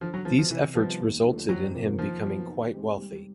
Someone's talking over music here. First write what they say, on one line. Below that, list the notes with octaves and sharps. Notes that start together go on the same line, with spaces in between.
These efforts resulted in him becoming quite wealthy.
D3 F3
F#3
F3 F#3 B3
F3
C3 E3
D#3 F3 G3 B3 D#4
D#2
D3 F3 A3 D4
F2 F#3
C3 F3 A#3
D#3 F3
F#3 B3
D#3
G#3 C4 D#4 G4
G3